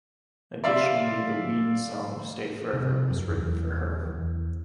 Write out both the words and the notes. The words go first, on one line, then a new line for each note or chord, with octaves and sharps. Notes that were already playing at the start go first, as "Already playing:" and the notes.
Additionally, the Ween song "Stay Forever" was written for her.
D5 E5 F5 C6
C3
F#2
E2
E2